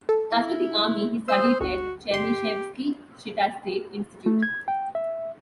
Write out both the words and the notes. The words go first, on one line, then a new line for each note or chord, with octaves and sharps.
After the army he studied at Chernyshevsky Chita State Institute.
A4
E4
C5 D#6 E6
G1 D2 F#4
G1 G4 C6
A3
G#6
G5
E5